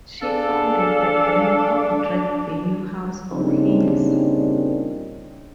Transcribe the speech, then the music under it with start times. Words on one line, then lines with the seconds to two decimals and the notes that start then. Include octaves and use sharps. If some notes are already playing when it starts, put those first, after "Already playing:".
She founded the Bangkok drag venue House of Heals.
0.22 D4 G#4 A4 F5
3.33 A#2 C#3 G3 C4 D4 D#4